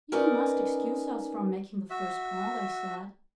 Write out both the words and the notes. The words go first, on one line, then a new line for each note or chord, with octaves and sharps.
"You must excuse us from making the first call," they said.
C#4 D#4 A#4 B4 D5 D#5
F#4 E5